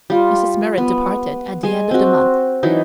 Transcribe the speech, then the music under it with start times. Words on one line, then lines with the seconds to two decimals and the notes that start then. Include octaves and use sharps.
Mrs. Merrit departed at the end of the month.
0.10 G3 F4
0.78 B3
1.63 G#3 G#5 C6
1.91 C4 F#4
2.63 E3 F#3 D#4